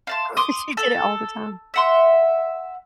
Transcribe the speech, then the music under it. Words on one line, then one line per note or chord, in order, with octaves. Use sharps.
Well, she did it all the time.
F5 A5 C6
C6 D6 D#6
A4
E5 F#5 C6